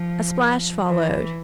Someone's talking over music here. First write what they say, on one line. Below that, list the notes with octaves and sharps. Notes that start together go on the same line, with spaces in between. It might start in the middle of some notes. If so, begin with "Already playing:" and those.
A splash followed.
Already playing: F3
E3